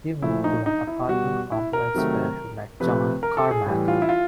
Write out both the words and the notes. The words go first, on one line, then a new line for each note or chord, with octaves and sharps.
He moved to an apartment complex where he met John Carmack.
A#2 F3 A3 E4
D#4
D#4
E4
B2 G3 F#4
E4
A#4
C3 D#3 F#3 A3
C3 F3 A3 B4
A#4
A4
G#4
A2 E3 G3
F4
E4
F4